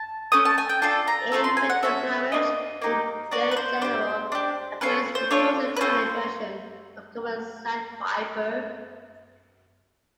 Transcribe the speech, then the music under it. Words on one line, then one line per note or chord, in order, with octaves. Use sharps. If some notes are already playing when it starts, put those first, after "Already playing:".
In winter plumage, the general appearance recalls a tiny version of common sandpiper.
Already playing: A5
A3 C#4 D#6
A5
G#5
G5
D4 F4 A4 A5
A#5
A3 C#4 F4 A4
C6
G#5
F#5
C#4 F#4 A4 E5
A#3 D4 F4 D#5
A#3 D#4 G4
B3 D4 F#4 D5
B4
C5
D4 G4 C5
D4 G4
C#4 F4 A4 B4
C5
D4 F4 A4 C#5
B4
C#4 F4 A4 C5